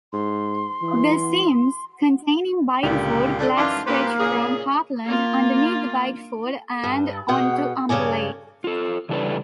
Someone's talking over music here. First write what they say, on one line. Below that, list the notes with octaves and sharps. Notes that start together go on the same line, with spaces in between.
The seams containing Bideford Black Stretch from Hartland, underneath Bideford, and onto Umberleigh.
G#2 C6
E3
C#2 A#2 D3 G4
D4 A4
F#2 E3 D#4 F4 A5 D6
A#2 A#3 G4 B4 C5
A#2 C#3 G#4
A#3 F4
G2
B2 G#4 F#5 G5
G2 C#3 C#4 D5 G#5
F4 A4
C#3 E3 G3 D4 A4 B4